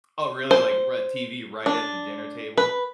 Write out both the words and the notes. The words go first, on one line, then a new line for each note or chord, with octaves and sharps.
Oh really like ri TV right at the dinner table?
C5
D4
B4